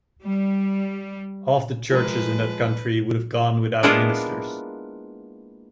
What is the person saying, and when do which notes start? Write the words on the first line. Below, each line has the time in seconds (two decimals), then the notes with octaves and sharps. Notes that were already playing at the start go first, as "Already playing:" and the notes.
Half the churches in that country would have gone without ministers.
0.23 G3
1.92 F3 G#3 A#4 B4
3.83 G#3 A#3 B3 D4 E4 F4